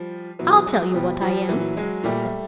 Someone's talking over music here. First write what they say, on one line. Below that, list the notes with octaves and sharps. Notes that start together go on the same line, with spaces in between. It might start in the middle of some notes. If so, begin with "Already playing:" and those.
"I'll tell you what I am," I said.
Already playing: F3 G3
B2 E3 F#3
F#3 G#3
B2 F3 G3
F3 G3
A#2 E3 F#3
F#3 G#3
A#2 G3 A3